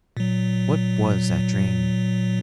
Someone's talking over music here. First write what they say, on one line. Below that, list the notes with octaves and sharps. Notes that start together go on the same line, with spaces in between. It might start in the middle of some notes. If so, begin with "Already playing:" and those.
What was that dream?
A#2 F#3